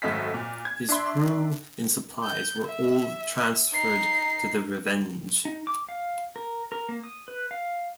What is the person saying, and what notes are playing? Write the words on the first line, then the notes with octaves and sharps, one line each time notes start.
His crew and supplies were all transferred to the "Revenge".
G#1 F#2 A3 D#5 F5 B6
A#2
G#6
D4 E5 C6
G6
E5
D#4 C7
D#4
D6
F5
A#4
A#4
A#3
D#6
B4
F5